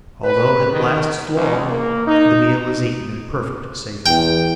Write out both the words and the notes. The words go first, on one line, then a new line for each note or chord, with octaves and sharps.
Although it lasts long, the meal is eaten in perfect safety.
B4
D#3
C#2
A#3
D#4
E2 G5